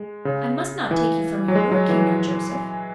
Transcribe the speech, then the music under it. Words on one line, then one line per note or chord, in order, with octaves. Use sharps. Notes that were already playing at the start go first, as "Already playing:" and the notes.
"I must not take you from your work, you know, Joseph."
Already playing: G#3
C#3
E3
F#3
G#3
F#3
E3